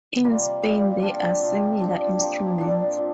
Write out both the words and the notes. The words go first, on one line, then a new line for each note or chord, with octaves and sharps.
In Spain there are similar instruments.
C3 G3 A#3 F4
A#2 G3 C4 G4
D3 F3 D4 F4
C3 F3 C4 G4
A#2 F3 D4 G4
F3 A#3 G4
A#2 F3 D4
F3 C4